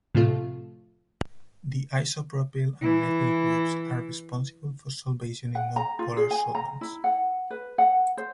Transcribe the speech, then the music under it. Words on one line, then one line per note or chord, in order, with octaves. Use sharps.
The isopropyl and methyl groups are responsible for solvation in nonpolar solvents.
A2 C3 F3 A3 F4
E3 E4
F#5
A#5
F4
G#4
G#5
A#5
E4
F#5
B4
F#5
C5